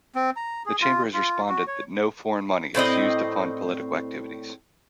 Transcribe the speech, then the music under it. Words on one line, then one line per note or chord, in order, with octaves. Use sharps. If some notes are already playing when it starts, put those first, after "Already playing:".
The Chamber has responded that No foreign money is used to fund political activities.
C4
A#5
G#4
F4
F4
F#4
C#5
A2 C4 D5 D#5